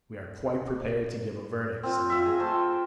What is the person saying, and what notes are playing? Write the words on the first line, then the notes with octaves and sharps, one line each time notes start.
"And we are quite prepared to give a verdict," said one.
C4 F4
F4 E5
G#4 D#5
A3 C5 A5 C6
G5